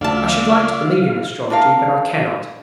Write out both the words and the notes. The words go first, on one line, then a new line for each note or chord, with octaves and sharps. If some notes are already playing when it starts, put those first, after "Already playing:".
I should like to believe in astrology, but I cannot.
D2 C#3 F4 D5 E5 F5 A5
D4 D#4 A#4 F5